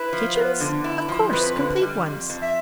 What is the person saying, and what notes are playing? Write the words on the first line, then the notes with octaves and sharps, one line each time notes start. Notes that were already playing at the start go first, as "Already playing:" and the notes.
"Kitchens?--of course--complete ones."
Already playing: E4 B4
F3
B3
D3
E4
F3
F2 B4
D3
G3
F2
F2
E5